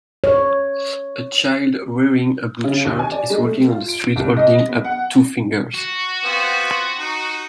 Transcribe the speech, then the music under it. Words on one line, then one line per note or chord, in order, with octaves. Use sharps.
A child wearing a blue shirt is walking on the street holding up two fingers.
C#5
C#3
D#2
G#5
D5
G#3
A3
F4
D7
C2
D#5
B3
F#5
F#4
B3 C4 F4
D#4